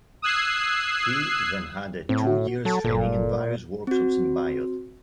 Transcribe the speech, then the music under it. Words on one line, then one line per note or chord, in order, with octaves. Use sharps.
He then had a two-years training in various workshops in Biot.
D#6 E6 F#6 G#6 C7
A2 C4
F#4
F#3 A4 A5
G1 A#2 A4
C4 F#4